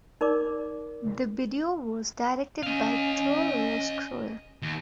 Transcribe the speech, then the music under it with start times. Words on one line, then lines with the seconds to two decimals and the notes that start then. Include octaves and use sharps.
The video was directed by Troy Roscoe.
0.21 D#4 A#4 D5 D6
2.63 C#4 D#5 F5
4.62 D#2